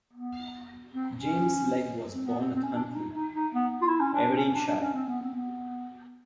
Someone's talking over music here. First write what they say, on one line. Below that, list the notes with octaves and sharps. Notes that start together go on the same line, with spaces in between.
James Legge was born at Huntly, Aberdeenshire.
B3
C4
C#4
C4
B3
C4
C4
C#4
D4
D4
D#4
D#4
D#4
B3
F4
E4
C#4
D4
C#4
D4
D4
C#4
C4
B3
C4
B3